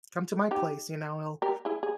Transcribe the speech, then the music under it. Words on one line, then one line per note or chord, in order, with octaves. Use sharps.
come to my place," you know, "it'll
D#4 G4
G4 A#4
E4 G#4
G#4